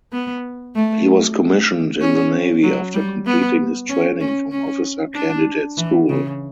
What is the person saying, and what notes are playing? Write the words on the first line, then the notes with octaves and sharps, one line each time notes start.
He was commissioned in the Navy after completing his training from Officer Candidate School.
B3
A3
C#4
F#3
G3
B3
C#4
C#4
C#4
D4
E3
C#3